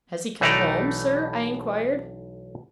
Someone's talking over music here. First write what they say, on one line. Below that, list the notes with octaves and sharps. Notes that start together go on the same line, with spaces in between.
'Has he come home, sir?' I inquired.
B1 E3 A3 D#4 D5 A#5